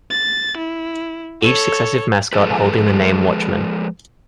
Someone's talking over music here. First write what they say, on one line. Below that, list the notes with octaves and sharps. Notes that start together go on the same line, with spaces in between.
Each successive mascot holding the name Watchman.
A6
E4
A4 C#5
F3 G#3 G#4 A4 B4